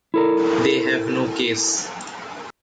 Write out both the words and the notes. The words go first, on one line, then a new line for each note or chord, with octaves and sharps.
They have no case.
E4 A4 A#4